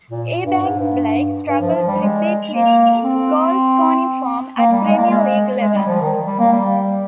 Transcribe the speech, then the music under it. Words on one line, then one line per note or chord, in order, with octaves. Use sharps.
Ebanks-Blake struggled to repeat his goalscoring form at Premier League level.
A#2
G2
G#2
G2
G2
F3
F3
G3
G#3
A#3
C4
A#3
G3
G#3
A#3
G#3
G#3
G3
F3
D#3
G3
A#3
G3